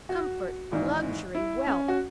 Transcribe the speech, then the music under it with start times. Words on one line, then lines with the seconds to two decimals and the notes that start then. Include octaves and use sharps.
Comfort, luxury, wealth!
0.09 F#4
0.72 G#1 G#2 E3
1.35 E4
1.66 C#4
1.88 F#4